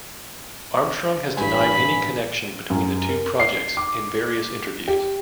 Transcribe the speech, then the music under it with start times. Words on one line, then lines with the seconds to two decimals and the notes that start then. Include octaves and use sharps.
Armstrong has denied any connection between the two projects in various interviews.
1.37 A1 G2 G#5 B5 B6
2.70 F#2
3.09 A#4
3.40 C7
3.77 D6
4.88 G4